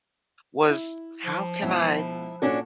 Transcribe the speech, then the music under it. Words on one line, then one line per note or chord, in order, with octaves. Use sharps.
was, "How can I
E4
F3
C#2 B2 E4
A#2 C#4 D4 F#4 A4